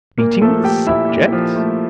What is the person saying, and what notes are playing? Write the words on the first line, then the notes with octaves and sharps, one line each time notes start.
"Beating the subjects!"
A#2 A#3 A#4
F3 A3 A4
A3 G4 G5
A#2 E4 E5
A#2
F3
A3